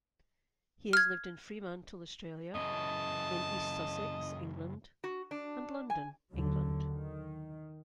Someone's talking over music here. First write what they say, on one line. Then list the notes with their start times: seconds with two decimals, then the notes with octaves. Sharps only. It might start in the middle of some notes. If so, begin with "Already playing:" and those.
He has lived in Fremantle, Australia; in East Sussex, England; and London, England.
0.93 F6 G#6
2.55 F#2 C#3 E3 D#5 A5
5.04 F#4
5.31 D4
5.90 G#5
6.34 D#2 D3 F#3
6.90 D#3